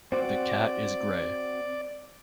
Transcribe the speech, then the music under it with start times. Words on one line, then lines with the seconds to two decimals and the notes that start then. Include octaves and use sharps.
The cat is grey.
0.12 C4 F#4 C5 D5 D6